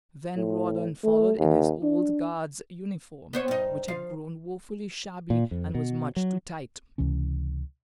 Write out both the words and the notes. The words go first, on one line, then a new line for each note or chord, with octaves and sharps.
Then Rawdon followed in his old Guards' uniform, which had grown woefully shabby, and was much too tight.
A2
A3
D#2
D4
B3 C5 C#5
G2 D#4
F3 F5
A#2
F2
B2
F#3
C#2 C3 E3 C#4